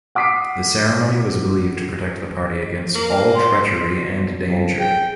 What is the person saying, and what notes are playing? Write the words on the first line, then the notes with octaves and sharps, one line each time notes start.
The ceremony was believed to protect the party against all treachery and danger.
F#5 D6 D#6 B6 C7 D7
A#3
C6
B2
F2
G#4 G5